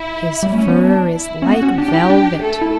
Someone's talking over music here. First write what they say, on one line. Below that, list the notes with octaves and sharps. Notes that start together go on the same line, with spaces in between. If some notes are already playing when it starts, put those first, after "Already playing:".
His fur is like velvet.
Already playing: E4
G3
A3 C#4
B3
D4
E4
C#4
B3 F#4
C#4
D4 G4
D4
E4
D4
A3 A4
E4